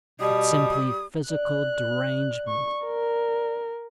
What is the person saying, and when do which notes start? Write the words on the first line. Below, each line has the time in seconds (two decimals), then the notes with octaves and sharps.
It's simply physical derangement.
0.20 B2 G3 D#6
1.29 D5 F#6
2.48 C#6
2.86 A#4